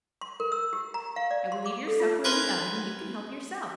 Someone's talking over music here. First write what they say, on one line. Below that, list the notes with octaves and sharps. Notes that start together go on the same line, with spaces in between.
I will leave your supper in the oven and you can help yourself.
C6
A#4
E6
G4
A#5
F5
D5
C6
D6
A4
F4
A#4 B4 G#5 C6